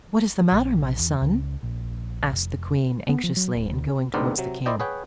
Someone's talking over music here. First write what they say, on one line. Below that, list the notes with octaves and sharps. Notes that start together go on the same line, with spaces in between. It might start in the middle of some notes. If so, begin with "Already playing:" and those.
"What is the matter, my son?" asked the queen, anxiously, and going towards the king.
A#1
A#1
E2
C#2
A#1
F1
B3
F3
F#3
D1
D2
D2 G#2 B3 C4 A#4 D5
C3 F#3
E4 C5 D5 D#5 G5
G#4 B4 C#5 F#5 G5